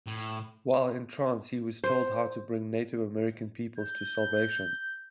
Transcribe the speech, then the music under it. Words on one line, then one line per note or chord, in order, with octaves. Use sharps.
While in trance he was told how to bring Native American peoples to salvation.
A2
C5
G6